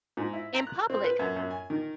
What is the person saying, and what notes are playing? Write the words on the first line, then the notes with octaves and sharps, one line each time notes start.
In public.
G#2
E4
A#5
F#6
C4
B4
F#2
F#2
G#5
D#3